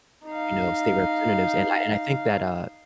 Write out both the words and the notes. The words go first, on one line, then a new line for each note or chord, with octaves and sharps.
you know, state representatives and I and I think that, uh,
D#4 F5